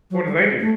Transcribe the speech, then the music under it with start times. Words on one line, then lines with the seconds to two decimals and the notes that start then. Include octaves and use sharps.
What do they do?
0.10 F#3
0.27 G3
0.37 G3
0.43 G#3
0.60 A3